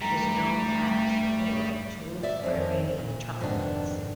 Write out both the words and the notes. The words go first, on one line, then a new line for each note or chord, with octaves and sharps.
It is known as or to local Iranian Turkmens.
G2 G3 A3 A#5
D5 E5
F2 C4 C#4
A#2
F2 G#2 C3 D#3 B3 D4